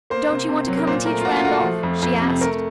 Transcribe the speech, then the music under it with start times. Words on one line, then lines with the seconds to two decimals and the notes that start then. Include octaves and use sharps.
"Don't you want to come and teach Randolph?" she asked.
0.10 A#3 C5
0.29 C3
0.49 C3
0.68 F#3
0.78 A#4
0.87 A#2 C5
1.06 A3 A#4
1.20 F4
1.25 A#2 F#4
1.36 F4
1.44 A3 F#4
1.64 F3
1.83 F2
2.03 F2
2.22 C3
2.41 A3 A#4